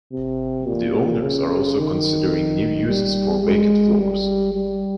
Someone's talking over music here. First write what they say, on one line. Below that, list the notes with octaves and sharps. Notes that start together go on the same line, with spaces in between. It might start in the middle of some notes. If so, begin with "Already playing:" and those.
The owners are also considering new uses for vacant floors.
C3
A#2
C#3
D#3
G3
G#3
G3
G3